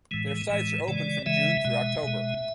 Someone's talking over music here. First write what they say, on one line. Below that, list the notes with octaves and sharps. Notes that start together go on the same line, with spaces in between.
Their sites are open from June through October.
A2 E3 G#3
A2 E3 G#3
C#3 E3 G#3 D5
C#3 E3 G#3 E5
B2 G#3
B2 G#3